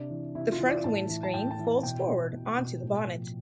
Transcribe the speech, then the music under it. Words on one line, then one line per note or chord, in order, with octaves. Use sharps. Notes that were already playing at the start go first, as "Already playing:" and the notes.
The front windscreen folds forward onto the bonnet.
Already playing: C3 D4
E3
C3 E4
F4
E3
D5
A2 A5
E3
A5
A2 G5
A5
E3
A5
B2 G5
B2
B2
B2
A2
F3